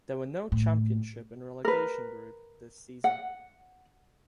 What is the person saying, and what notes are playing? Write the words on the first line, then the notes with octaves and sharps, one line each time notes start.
There were no Championship and Relegation group this season.
A2
A#4 B4
F#5